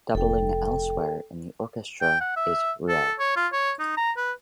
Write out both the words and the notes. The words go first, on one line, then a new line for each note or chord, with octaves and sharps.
Doubling elsewhere in the orchestra is rare.
F1 A4 G5
G5
F#5
E5
A4
C#5
F4
C#5
D#4
A#5
B4